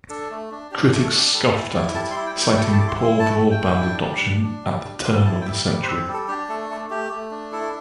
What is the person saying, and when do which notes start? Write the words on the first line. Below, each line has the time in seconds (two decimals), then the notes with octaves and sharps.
Critics scoffed at it, citing poor broadband adoption at the turn of the century.
0.09 D4 A4
0.31 A3
0.51 D4
0.71 D4 G4
0.87 G4
0.92 A3
1.03 A4
1.13 D4 G4
1.33 G3 A4
1.53 E4
1.74 E4
1.95 G3 A5
2.11 C6
2.16 E4
2.26 G5
2.37 G3 G5
2.57 A3 G5
2.73 A5
2.78 E4 D6
2.88 C6
2.98 E4 C6
3.19 A3 A5
3.39 A3
3.50 G5
3.61 E4
3.81 D4
4.02 G3
4.22 D4
4.43 D4
4.63 G3
4.84 D4
5.04 G3 C6
5.25 E4 A5
5.41 G5
5.46 G3 E5
5.66 G3 D5
5.82 C5
5.87 C4
6.07 G3
6.13 A4
6.28 D4 G4
6.49 A3 A4
6.69 A3 A4
6.90 A3 G4
7.11 A3
7.31 D4
7.52 E4 A4